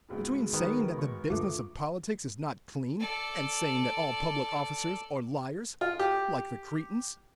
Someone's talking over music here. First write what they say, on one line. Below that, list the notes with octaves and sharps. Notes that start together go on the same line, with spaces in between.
"Between saying that the business of politics is not clean, and saying that all public officers are liars, like the Cretans."
C#2 G#2 B2
D#3 B3 A#4 C#5
C#6
D2 G2 A3 F4 D6
A4 D5
F4
G4